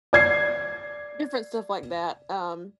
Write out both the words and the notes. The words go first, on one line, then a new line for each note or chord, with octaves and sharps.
different stuff like that, um
D5 G#6 C7